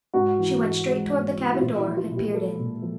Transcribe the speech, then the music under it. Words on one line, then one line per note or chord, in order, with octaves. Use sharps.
She went straight toward the cabin door and peered in.
G#2 F#4
E3
G#2
G#3
G#2
E3
E4
A#2 F4
E4
F3
F4
A#2
G4
G#3 A4
A#2
F3